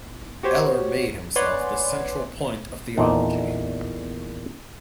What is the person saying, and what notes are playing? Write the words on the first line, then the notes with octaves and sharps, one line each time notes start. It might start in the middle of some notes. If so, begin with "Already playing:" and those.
Eller made himself the central point of theology.
F#4 G4 C5 C#5
B4 C#5 D5 F#5 G#5 C6
E2 A#2 D#4 A4